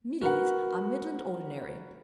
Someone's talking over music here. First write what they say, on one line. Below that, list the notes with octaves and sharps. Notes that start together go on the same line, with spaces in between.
Middies are Midland Ordinary.
F#4 A#4 B4 F#5